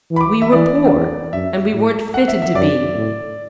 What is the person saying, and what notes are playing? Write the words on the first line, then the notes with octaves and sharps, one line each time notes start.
We were poor, and we weren't fitted to be.
E3
B5
D6
E5
E3 D5
E2
F#2 E5
A2
F#5
E5
E5
F#2 D5
A2